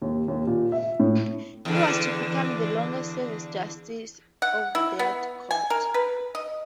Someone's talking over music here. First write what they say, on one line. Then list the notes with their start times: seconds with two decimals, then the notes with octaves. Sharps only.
He was to become the longest serving Justice of that court.
0.02 D#2
0.28 D#2
0.47 A#2
0.72 E5
0.99 A2
1.65 E2 D3
4.42 F#5
4.75 E4
4.99 B3
5.51 G#5
5.70 A#4
5.94 B4
6.35 D#5